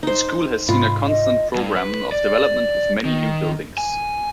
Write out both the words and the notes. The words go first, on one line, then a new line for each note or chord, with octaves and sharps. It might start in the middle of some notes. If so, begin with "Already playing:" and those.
The School has seen a constant programme of development with many new buildings.
D#4 C5
G#2 C3 F4 B5
D#5
G2
B4
D5
D#3
G#5